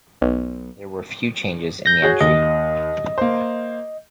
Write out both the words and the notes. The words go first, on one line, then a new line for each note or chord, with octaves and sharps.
There were few changes in the entry.
B1
G6 A#6
F#4 G#4 C#5
D#2 D#5
A#3 C5